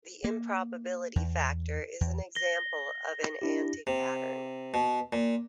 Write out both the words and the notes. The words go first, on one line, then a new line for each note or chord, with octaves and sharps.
The improbability factor is an example of an anti-pattern.
A#3
E2
E2
A#6 G7
D4 E4 G4
C3
B2
A#2